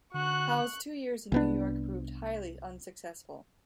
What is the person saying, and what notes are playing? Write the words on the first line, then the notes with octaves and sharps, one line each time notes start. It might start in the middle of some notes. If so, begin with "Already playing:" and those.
Howe's two years in New York proved highly unsuccessful.
D3 F#4 C#6 F#6
C2 B3 D4